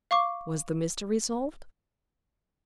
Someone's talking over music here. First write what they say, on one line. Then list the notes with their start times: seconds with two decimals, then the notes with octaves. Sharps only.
Was the mystery solved?
0.11 F5 C#6 D6